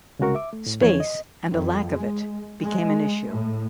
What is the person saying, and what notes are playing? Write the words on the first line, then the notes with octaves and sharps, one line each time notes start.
Space, and a lack of it, became an issue.
C2 C#3 G#3 F#4 A#4 C#6
E5 D6
A3
A2
F2 E3 F3 C#5 G#6
D#5
F2
G#3
G#3
A2